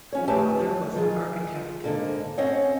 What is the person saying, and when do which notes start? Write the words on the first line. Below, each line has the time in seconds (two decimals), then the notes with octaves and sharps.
The father was an architect.
0.13 F3 C#4 C#5
0.28 A3 C#4 G4 B4 E5 A5
0.51 D#2
0.95 D#3 F4 G#4
1.84 G#2 D3 A#3
2.38 C4 C#4 C#5 D#5 F5 F#5